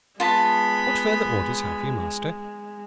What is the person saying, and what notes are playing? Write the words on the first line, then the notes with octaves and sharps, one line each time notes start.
What further orders have you, Master?'
G#3 B3 F4 A5 B5